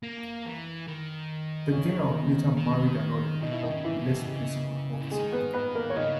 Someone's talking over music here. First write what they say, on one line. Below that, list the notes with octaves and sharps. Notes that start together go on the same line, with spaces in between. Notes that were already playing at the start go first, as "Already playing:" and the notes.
The girl later married another, less principled officer.
A#3
E3
D#3
C#3 C#4
D#3
B2 D#4
E4
D#3 D#4
C#3
E3 E4
B2
C#3
E3
D#3 G#3 G#4
B3 B4
B3 B4
A#3 A#4
C#5
C#3 D#4 D#5